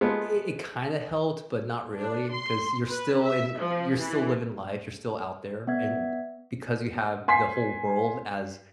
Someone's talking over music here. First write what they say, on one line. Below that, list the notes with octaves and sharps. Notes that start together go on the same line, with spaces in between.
it it kinda helped but not really 'cause you're still in you're still living life, you're still out there. And because you have the whole world as
G#3 A3 B3 F4
D4
C6
B4
E5
F3
E3
B3 D5 E5 G#6
G#5 C6 B6 C7